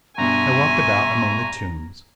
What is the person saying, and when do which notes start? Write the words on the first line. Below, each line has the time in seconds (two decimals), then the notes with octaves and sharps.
I walked about among the tombs.
0.18 G2 B2 E5 G#5 A#5 C6 C#6